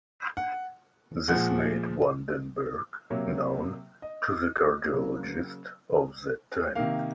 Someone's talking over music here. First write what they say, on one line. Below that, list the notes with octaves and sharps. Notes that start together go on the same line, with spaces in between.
This made Van den Berg known to the cardiologists of that time.
F#5
A#2 F3 G#3 F#5
C3 F#3 A#3 C#5
D#5
C#3 F#3 A#3
C3 D#3 A#3 F5